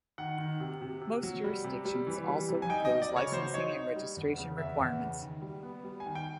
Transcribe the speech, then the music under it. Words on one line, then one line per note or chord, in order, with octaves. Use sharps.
Most jurisdictions also impose licensing and registration requirements.
D#3 F#5
D#3
C3
C3
C3
F#3
G3
C3
G3
E3
G3
C3
G#5
D#4 G5
D#5
F#3
D5
C#3 C#5
F#3 C5
D#4 C#5
D#4
G3
E2
C#3
E2 E5
E2
C#3
D#3
G3
B3
G3
G#5
D#3
G5